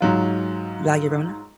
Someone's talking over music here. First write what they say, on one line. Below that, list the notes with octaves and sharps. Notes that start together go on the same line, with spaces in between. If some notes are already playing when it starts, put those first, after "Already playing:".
La Llorona.
G#2 F#3 F4